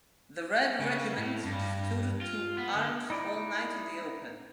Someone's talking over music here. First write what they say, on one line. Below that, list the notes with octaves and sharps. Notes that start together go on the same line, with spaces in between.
The Red Regiment stood to arms all night in the open.
C#3
A2
G2
F4
B3
D3
D#4 E4 D5